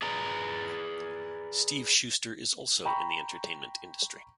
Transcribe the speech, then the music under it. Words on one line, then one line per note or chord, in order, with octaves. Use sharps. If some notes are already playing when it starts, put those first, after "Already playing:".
Steve Shuster is also in the entertainment industry.
G#4 B4 D5 A#5
G5 A#5 B5 C#6